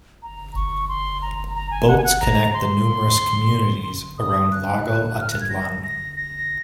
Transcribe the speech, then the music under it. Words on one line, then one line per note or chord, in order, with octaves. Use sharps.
Boats connect the numerous communities around Lago Atitlan.
A#5
C#6
C6
A#5
A#5
G#5
F#5
G#5
F#5
A#5
C6
D#6
F#6
F6
F#6
G#6
A#6
A#6
A#6